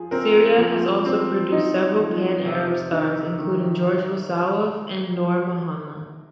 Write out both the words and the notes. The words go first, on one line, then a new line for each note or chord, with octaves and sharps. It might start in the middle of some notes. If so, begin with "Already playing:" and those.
Syria has also produced several pan-Arab stars, including George Wassouf and Nour Mahana.
Already playing: F3 G#4
C4 A#4
F3
C4
D#4
F3
C3
D#4
D#3